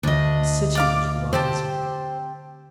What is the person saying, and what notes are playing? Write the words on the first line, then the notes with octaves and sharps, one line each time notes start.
The city was rising.
D2 D4 D#5
D5 F5 D6
C4 G4 C5 A5